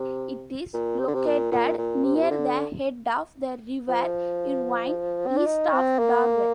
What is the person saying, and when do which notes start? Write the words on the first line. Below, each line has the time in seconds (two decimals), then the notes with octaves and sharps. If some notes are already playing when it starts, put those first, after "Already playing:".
It is located near the head of the River Irvine, east of Darvel.
Already playing: C3
0.74 A#2
1.00 C3
1.08 D3
1.15 C3
1.26 A#2
1.52 A#2
1.78 A#2
2.04 C3
2.15 A#2
2.23 C3
2.31 D3
3.89 F3
5.27 C4
5.37 D4
5.46 D#4
5.73 C4
5.99 A#3